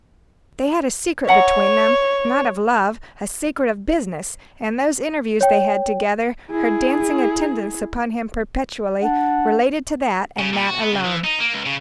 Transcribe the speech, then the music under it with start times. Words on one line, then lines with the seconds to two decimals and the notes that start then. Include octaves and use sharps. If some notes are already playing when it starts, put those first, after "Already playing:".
"They had a secret between them--not of love--a secret of business; and those interviews they had together, her dancing attendance upon him perpetually, related to that, and that alone."
1.27 C#5 E5 F#5 A#5
5.41 C#5 G5
6.50 E4 G#4
9.02 D4 F#5
10.39 C#3
10.53 A#2
10.67 F#4
10.80 B3
10.93 C#3
11.04 E3
11.24 D#4
11.40 A#3
11.53 C#2
11.66 C#3